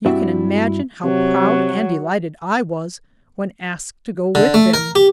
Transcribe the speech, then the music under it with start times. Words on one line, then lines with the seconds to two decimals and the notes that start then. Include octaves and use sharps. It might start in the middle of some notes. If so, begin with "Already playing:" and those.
You can imagine how proud and delighted I was when asked to go with them.
0.06 G2 C4 D4 E4 F#4 E5
1.04 C3 F#3
4.35 D3
4.54 A3
4.74 A#4
4.95 G4